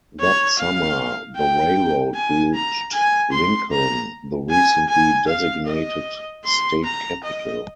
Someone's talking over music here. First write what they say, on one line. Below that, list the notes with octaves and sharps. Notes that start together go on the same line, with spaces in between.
That summer, the railroad reached Lincoln, the recently designated state capital.
C#5
F5
G5
G#5
A#5
G#5
C6
A#5
G#5
G#5
F5
D#5
C6
A#5
D#5